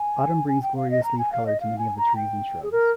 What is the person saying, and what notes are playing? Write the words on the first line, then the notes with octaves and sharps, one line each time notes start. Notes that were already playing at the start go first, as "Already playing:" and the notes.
Autumn brings glorious leaf colour to many of the trees and shrubs.
Already playing: G#5
G#5
G5
F5
D#5
A#5
G#5
F5
D#5
F5
G#5
A#5
G5
G#4
A#4